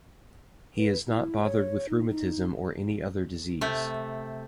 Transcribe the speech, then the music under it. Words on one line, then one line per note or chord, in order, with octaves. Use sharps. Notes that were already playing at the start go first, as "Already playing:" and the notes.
He is not bothered with rheumatism or any other disease.
B4
E4
C#5
D#4
D#4
C3 A3